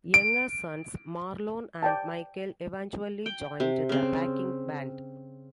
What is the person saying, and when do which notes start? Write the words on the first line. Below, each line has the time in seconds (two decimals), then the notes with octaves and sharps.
Younger sons Marlon and Michael eventually joined the backing band.
0.14 D7
1.83 D5 G5 A5
3.26 G5
3.60 C3
3.89 C#3 C4